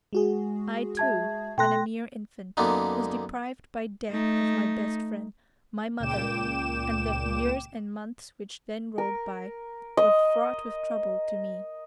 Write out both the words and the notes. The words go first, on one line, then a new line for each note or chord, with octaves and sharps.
I, too, when a mere infant, was deprived by death of my best friend--my mother--and the years and months which then rolled by were fraught with trouble to me.
G#3 F#4 G#4
E5 A5 G#6
B2 A4 G5 C6 F#6 A#6
F#2 D3 A#3 B3 D4 D#4
A3 D#4
C#2 A#2 G5 D6 E7
A#4
D#5